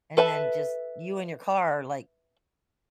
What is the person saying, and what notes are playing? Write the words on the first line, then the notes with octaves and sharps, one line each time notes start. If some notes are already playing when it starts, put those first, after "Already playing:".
and then, just, you and your car are, like,
A4 B4 E5 A5